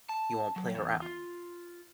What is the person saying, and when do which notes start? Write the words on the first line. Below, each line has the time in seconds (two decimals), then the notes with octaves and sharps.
you won't play around.
0.09 A5
0.56 F#3
0.75 E2
1.02 F4